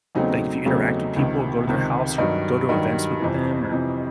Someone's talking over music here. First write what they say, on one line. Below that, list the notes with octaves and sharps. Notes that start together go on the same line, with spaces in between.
like, if you interact with people, go to their house, or go to events with them or,
E2 C#3 F#3 A3 C4 D#4
E2 C#3 F#3 A3 C4
C#2 C3 D#3
C#2 C3 D#3
G2 D#3 F#3 D#4
G2 D#3 F#3
F2 C3 E3
F2 C3 E3